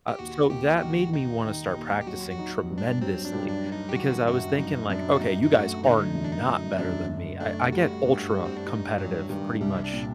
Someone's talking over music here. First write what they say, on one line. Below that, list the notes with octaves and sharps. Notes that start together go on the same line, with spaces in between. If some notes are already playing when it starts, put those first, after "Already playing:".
Uh, so that made me wanna start practicing tremendously, because I was thinking like, "Okay, you guys are not better than me." I I get ultra competitive, pretty much,
G4
D#2 F#4
D#2 G4
G4
D#3 F#4
D#3 D#4
D#3
D#2
G4
F#3 F#4
F#4
D#4
G2
D4
F#3 C4
D4
G2
D4
F#3
D#4
G4
D#3 F#4
F#2 F#4
F#2 D#4
F#2 D4
F#4
F#2 D#4
D#4
A3 F#4
D3 D#4
F#2
D4
D#4
F#2
C4
F#2 D4
F#2
A3 D4
G3 F#4
G2
G3
C4
D4
G2 D#4
G2 F#3
G2 D#3
C2 G3
D4
A#2